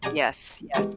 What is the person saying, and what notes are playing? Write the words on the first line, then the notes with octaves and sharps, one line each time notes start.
Yes, yes.
G#4 D5 F#5 G#5 A#5 C6
E2 G#3 G4 A#4 F#5 C#6